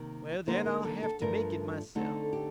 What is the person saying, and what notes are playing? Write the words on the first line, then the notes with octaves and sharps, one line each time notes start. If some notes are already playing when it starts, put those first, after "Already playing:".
"Well, then, I'll have to make it myself."
Already playing: C3 D#3 A#3
D3 G3 A#3 D#4 C5
A#4
A4
A4
G2 F3 A3 D4 A#4
D3 A3 C4 D#4 A4
G4